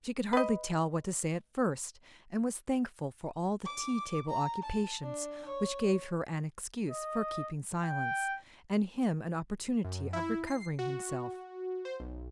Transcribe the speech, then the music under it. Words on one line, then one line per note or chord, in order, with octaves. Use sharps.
She could hardly tell what to say at first, and was thankful for all the tea-table occupations, which gave her an excuse for keeping silence, and him an opportunity of recovering himself.
B4 D#5
D6
A#5
A5
D4
C#5
D#5
G5
F#2
E4
C7
F#4
C5
B1